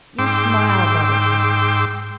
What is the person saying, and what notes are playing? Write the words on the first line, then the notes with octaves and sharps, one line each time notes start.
You smile, Barbicane.
G#2 G5 C6 D6 E6